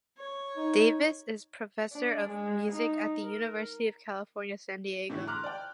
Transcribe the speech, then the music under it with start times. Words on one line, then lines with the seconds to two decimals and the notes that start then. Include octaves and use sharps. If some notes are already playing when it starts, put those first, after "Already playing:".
Davis is professor of music at the University of California, San Diego.
0.18 C#5
0.57 D#4
1.92 D4
2.30 G#3
2.72 D#4
3.21 A#4
5.10 A2 D3 E3 A3 E4
5.27 A#5 C6 D6 F6 F#6
5.44 D5 G5